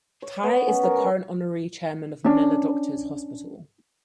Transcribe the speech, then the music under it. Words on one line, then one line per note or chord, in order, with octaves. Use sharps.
Ty is the current honorary chairman of Manila Doctors Hospital.
C#5
B3
C#4
A#4
G#3
C#4 D4